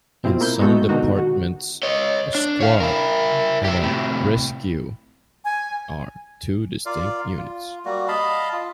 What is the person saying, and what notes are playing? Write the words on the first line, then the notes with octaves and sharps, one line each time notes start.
In some departments, a "squad" and a "rescue" are two distinct units.
B2 C4 E4 F4
A#3 E4 G6
G#3 B3 D#4 F#4 A4
B2 D3 D#3 D#4 F#4
F#4
C#5 D#5
D4
C#5 F5
E4 A#4
G4 E5
A2 C3
G#5
F4 A#4 D5 F5
F4
G3 A#3 F#4
D#5 F5 A5 B5
F4